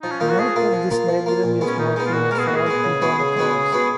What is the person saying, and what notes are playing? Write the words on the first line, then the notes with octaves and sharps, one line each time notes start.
Note that this diagram is not used for all plutonic rocks.
F3 D#4
C#4
A#3 D#4 F4
F#4
F3 G#4
A#3 F4
F3
A#3 F4
F3
A#3 F4
A#2
G#3 B3
C#4
A#2 D#4
G#3 B3 D#4
F4
A#2 F#4
G#3 B3 G#4 A#4
A#2 F#4
G#4
G#3 B3
C#3
G#3 B3 F#4 B4
C#3 G#4
G#3 B3 F#4 B4
C#3
G#3 B3 F#4 B4